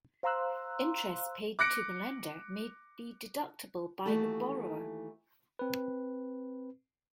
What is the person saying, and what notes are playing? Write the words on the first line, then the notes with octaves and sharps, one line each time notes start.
Interest paid to the lender may be deductible by the borrower.
C5 F5 A#5 C6 E6 F#6
D6 F#6 A#6 C#7 D7
D#2 E3 A3 F#4 A4
C4 B4